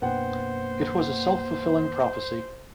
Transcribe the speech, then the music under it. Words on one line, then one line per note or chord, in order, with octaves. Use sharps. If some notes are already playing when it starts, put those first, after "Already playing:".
It was a self-fulfilling prophecy.
F#2 B2 A#3 B3 D4 C5 F#5 G5